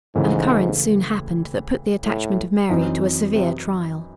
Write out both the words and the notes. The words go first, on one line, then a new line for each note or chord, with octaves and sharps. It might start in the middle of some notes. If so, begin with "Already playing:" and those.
An occurrence soon happened that put the attachment of Mary to a severe trial.
D#2 G#2 C#3 E3 A3
A2
F#2 E3 C4 D#4
C3